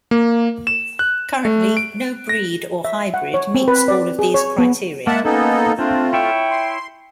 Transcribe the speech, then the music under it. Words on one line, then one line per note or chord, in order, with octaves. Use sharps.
Currently, no breed or hybrid meets all of these criteria.
A#3
E7
F#6
A3
D7
A#6
E5
F#5
C#5
C4
B4
D5
G#4
C#5
B3
G#3 A#3 E5 F#5 A5
A#3 B3 C#4 D#4 A4
A3 C4 D4 F4
E4 C#5 E5 G5
C6